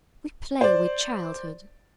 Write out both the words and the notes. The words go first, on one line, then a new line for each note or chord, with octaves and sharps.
We play with childhood.
C5 D5